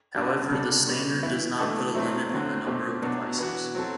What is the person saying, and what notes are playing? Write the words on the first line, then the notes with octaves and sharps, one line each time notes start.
However the standard does not put a limit on the number of devices.
G3 D4 F#4
C3 G3 D4 A4
B2 G3 B3
E3 B3 E4
E3 A3 D4 A4
F#3 A3 C4 E4
D3 F#3 C4
B2 A3 C4 G4
B2 F#3 B3 D4 F#4
E3 B3 F#4
F#3 C4 F#4 A4